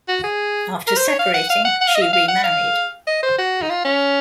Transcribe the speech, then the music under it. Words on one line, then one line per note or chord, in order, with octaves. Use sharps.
After separating, she remarried.
F#4
G#4
A#4
C5
C#5
F5
F#5
F5
F#5
F#5
F5
D#5
F5
F5
F#5
F5
D#5
C5
F#4
D#4
F4
C#4